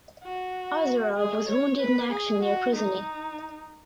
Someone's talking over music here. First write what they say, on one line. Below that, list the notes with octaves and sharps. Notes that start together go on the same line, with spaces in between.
Ozerov was wounded in action near Pruzhany.
F#4
G#4
C#5
B4
G#4
F#4
D#4